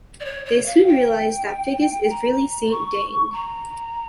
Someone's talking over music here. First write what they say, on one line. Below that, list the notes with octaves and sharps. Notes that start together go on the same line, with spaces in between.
They soon realize that Figgis is really Saint Dane.
D5
C#5
C#5
F5
G5
A#5
C#6
A#5